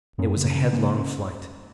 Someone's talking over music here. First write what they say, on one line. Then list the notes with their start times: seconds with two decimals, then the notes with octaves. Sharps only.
It was a headlong flight.
0.18 F#2 A#3 C#4
0.37 C#3
0.55 C#3
0.73 C#3 A#3 C#4